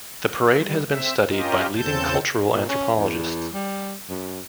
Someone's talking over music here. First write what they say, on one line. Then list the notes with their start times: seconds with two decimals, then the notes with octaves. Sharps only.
The parade has been studied by leading cultural anthropologists.
0.55 G3
0.88 C4 E5
1.29 C#4 F4 G4 A#4 D#5
1.76 E2 C#3 C4 A4 A5 G6
2.50 A#2
2.69 C#4
2.97 E2
3.54 G3
4.09 F#2